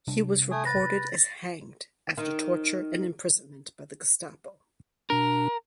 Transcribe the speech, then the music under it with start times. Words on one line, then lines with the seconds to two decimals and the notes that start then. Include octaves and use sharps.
He was reported as hanged after torture and imprisonment by the Gestapo.
0.08 C3 G3 D4
0.51 A3 G#5 D#6
0.65 B4 A6 A#6
2.17 D#3
5.10 B2 D4 A#4